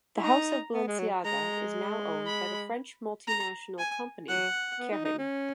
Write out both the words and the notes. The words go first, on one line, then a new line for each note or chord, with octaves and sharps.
The House of Balenciaga is now owned by the French multinational company Kering.
E4
D#4 A#5
B3
G#3
F#3
G#3 A#5
B5
A#5
G#5
F#3 F#5
B3
D#4
D#4
C#4